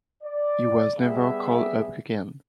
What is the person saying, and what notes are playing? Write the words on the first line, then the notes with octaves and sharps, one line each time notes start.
He was never called up again.
D5
G3 B3 G#4 E5